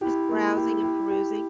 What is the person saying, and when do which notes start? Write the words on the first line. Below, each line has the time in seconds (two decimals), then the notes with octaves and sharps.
Just browsing and perusing.
0.01 E4 G4
0.29 A#3
0.56 G4
0.83 G4
1.10 G4